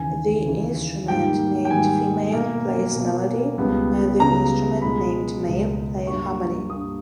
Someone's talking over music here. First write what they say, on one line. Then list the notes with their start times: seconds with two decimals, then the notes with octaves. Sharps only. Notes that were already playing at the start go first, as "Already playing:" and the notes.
The instrument named female plays melody and the instrument named male play harmony.
Already playing: D#2 C#3 E3 G#5
0.46 D#2 C#3 E3
1.08 G#2 D#3 G3 A#3 G5
1.65 G5
1.70 G#2 D#3 G3 A#3 G#5
2.32 B2 A#3
2.96 B2 A#3
3.57 C#2 C#3 G3 B3
4.20 C#2 C#3 G3 B3 A#5
4.82 C#2 B2 G#3 B5
5.44 C#2 B2 G#3
6.07 G2 G3 A#3 C#6
6.69 G2 G3 A#3 D#6